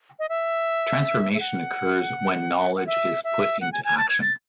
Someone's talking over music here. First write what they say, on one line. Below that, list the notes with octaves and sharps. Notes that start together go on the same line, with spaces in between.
Transformation occurs when knowledge is put into action.
D#5
E5
E5
F#5
F#5
E5
E5
F#5
G#5
G#5
A5
G#6
A6